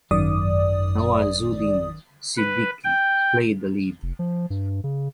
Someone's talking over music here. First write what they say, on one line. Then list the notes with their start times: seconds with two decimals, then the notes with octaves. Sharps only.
Nawazuddin Siddiqui played the lead.
0.11 G#1 F#2 D#3 D5 D#6
2.37 B4
2.84 G5
4.03 F1
4.19 F3
4.50 G2
4.84 C#3